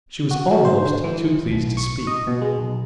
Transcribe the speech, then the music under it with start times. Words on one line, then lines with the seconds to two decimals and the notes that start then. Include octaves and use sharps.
She was almost too pleased to speak.
0.31 F#4
0.51 F#3
0.65 C5
0.85 D3
1.04 E3
1.51 B1
1.77 C#6
2.07 D#5
2.27 B2
2.41 G#3
2.58 B1